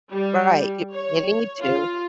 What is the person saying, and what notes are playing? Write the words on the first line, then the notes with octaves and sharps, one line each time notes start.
Right, you you need to,
G3
C#5
F4